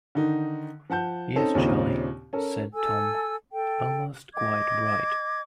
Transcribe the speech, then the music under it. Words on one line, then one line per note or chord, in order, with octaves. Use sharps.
"Yes, Charley," said Tom, "almost quite bright."
D3 D#3 D#4
F3 F#5 A5 G6
C4 C#4 D#4 A4
D#2 A#2 C#3 C4 D4 D#4
C#4 A4 A#4
A4 G#5 E6
A4 G5
D#5 D6 G#6